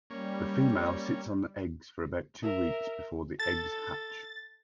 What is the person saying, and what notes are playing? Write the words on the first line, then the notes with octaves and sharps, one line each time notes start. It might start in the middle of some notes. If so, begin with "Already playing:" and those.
The female sits on the eggs for about two weeks before the eggs hatch.
G3 A#3 C#4
A#4 E5
A4 A6